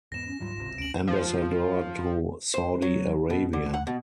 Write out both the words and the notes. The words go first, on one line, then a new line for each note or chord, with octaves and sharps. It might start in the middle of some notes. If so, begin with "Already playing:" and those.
Ambassador to Saudi Arabia.
E2 G#2 B3 A#6 E7
C#4
D2 G#2 F#3 G3 F4
G1 C#2 C3
D2 C#4 D7 F#7
F3
C5
F#3
B2
D3
F#5
B2